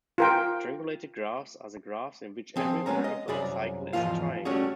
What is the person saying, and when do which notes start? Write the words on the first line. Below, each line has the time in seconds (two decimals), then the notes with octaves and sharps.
Strangulated graphs are the graphs in which every peripheral cycle is a triangle.
0.18 F4 A#4 G5
2.56 F3 C4 G#4
2.86 G#3 B3 C#4 A#5
3.04 D#5
3.28 C2 F#2 G#4 D5 B5
3.93 E2 G#2 D#3 F3 F4 F5
4.45 G3 A3 C#4 D4 F#4 G#4